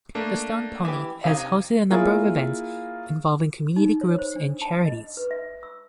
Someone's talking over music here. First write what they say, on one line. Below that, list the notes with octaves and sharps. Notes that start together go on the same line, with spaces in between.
The Stone Pony has hosted a number of events involving community groups and charities.
A3 A#3 D4
E3 G4
C3 D#4 F5 G5 G#6
A#3 E4 F4 G#4 A#4 C#5
D#4
C#5
C5
D4
A5
D#5
B4
E5
E6